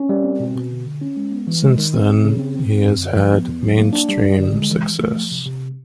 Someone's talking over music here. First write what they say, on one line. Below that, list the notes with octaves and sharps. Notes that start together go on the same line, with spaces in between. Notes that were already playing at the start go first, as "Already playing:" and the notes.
Since then he has had mainstream success.
Already playing: C#4
G3
C4
B2
B2
D3
D3
C#4
G#3
B3
E3
G#3
D#3
C4
C4
C#3
C4
C4
C4
F#2
D3
F3
B3
E2
F#3
A#3
D4
G3
G3
D3
G#3
E3
E3
A3
F3
C3
C3